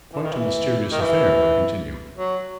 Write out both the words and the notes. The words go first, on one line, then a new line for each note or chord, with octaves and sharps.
"Quite a mysterious affair!" I continued.
E3
D#3
E3
D#3
E3
F#3